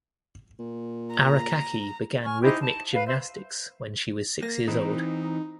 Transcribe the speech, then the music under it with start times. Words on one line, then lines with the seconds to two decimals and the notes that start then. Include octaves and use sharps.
Arakaki began rhythmic gymnastics when she was six years old.
0.59 A#2
1.12 A#5
2.24 G#5 C#6 F6
2.42 D#4 E4 G4 C5
2.60 A5
2.93 B4 F5
3.07 C5 E5
4.43 A#3 A#6
4.68 E3 C4 D#4